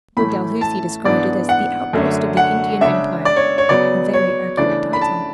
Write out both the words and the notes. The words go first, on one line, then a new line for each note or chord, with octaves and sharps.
Lord Dalhousie described it as "the outpost of the Indian Empire"--a very accurate title.
A2 E3 A3 B5
A5
G#2 E3 B3 D4 D5
F#5
F#2 D3 A3 D4
F#5
C#3 G#3 D4 E5
D5
C#5
C#5
C#3 F#3 B3 D5
C#5
C#3 E3 A3 D4 D5
B5
A5